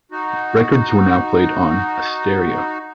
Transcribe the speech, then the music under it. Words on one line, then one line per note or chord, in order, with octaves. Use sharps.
Records were now played on "a stereo".
D#4 F#4